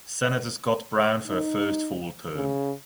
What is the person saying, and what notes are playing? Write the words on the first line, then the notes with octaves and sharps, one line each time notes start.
Senator Scott Brown for her first full term.
D#4
C#3